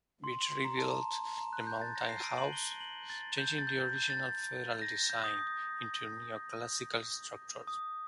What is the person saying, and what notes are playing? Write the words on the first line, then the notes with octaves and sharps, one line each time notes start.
Beach rebuilt the Mountain House, changing the original Federal design into a neo-classical structure.
C6
C6
A#5
A5
A#5
A#5
F#6
G6
A6
A#6
C7
D#7
D7
F#7
G7
F#7
A6
G6
A6
G6
G6
G6
A6
A#6
G6
D#6
D#6